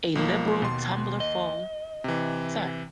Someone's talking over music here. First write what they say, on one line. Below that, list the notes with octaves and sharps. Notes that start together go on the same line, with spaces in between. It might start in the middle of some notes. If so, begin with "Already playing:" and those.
A liberal tumblerful, sir.
B1 F3 A#3
D#2 B2 C6
D#5
C3 E3